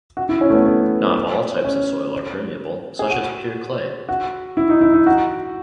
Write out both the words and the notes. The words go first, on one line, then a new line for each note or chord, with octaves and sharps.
Not all types of soil are permeable, such as pure clay.
F#4
E4
C#4
A3
B3
B3
C#4
G#4
F#4
F#4
E4
D#4
E4
D#4
F#4